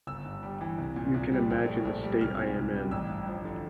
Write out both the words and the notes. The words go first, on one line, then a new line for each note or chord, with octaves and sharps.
You can imagine the state I am in.
G1 E6
G2
G3
E3
C2
A#2
C2
G3
A#1
A2
A#1
G3
C2 F6
A#2
C2
G3
A1 E6
G2
F3
D3